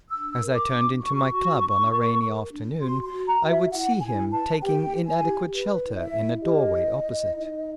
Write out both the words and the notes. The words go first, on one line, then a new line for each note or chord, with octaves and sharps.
As I turned into my club on a rainy afternoon I would see him taking inadequate shelter in a doorway opposite.
D4 E6
A#4
D6
D4
F#4 C#6
F#4
D4
A#4
A#4
D4
F#4 C6
C6
F#4
A#5
F#4
E5
E4 F#5
E4 G#5
B4 A5
G4 G5
E4
G#5
G4
B4
E4
E5
E4
G4 D#5
E4
E4
D#4